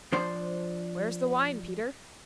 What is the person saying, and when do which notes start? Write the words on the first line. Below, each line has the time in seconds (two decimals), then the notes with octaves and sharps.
"Where is the wine, Peter?"
0.12 F3 D4 C5